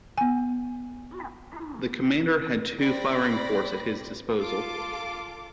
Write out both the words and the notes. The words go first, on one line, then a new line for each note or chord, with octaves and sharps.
The commander had two firing ports at his disposal.
B3 G#5
C4 D5 B5 A#6
F4 A4 D6